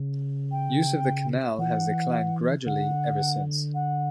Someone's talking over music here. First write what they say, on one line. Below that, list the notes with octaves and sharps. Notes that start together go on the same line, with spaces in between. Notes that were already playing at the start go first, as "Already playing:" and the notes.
Use of the canal has declined gradually ever since.
Already playing: C#3
G5
E3 F#5
D3 F#5
F#5